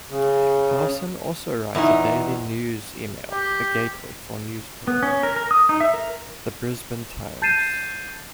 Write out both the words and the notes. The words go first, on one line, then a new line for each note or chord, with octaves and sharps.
Howson also writes a daily news email The Gateway for newspaper "The Brisbane Times".
C#3
E2 A#2 E3 D#4
G4
B3
C#4
A#4
A#4
D#6
D#4
E5
A#4
A5 G6 A6 C7 D#7 E7